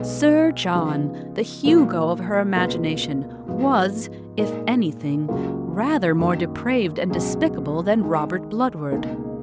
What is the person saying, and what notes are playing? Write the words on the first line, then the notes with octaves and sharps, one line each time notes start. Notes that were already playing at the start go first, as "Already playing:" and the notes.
Sir John, the Hugo of her imagination, was, if anything, rather more depraved and despicable than Robert Bludward.
Already playing: B1 B2 G#3 B3
C#3 F3 B3 D#4
A#2 F3 A#3 D#4 F#4
C#2 B2 A#3 F4 B4
G#2 F3 B3 F#4
A#2 G#3 D#4 A#4 D#5
C#2 C#3 F#3 A#3 F4
F#2 D#3 F#3 A#3
C#2 B2 F#3 C#4 G#4
D#3 G#3 D#4
C#2 B2 A#3 D#4 G#4